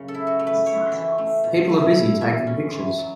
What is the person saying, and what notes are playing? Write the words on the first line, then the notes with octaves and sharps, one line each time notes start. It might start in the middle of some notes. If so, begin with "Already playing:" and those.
People are busy taking pictures.
Already playing: F#2 C#3 C#5
A4
E4
F#4
A3
B4
E4 C#5
E3
A3
B2
A3
E4
E3 E5
C#4
E3
F#3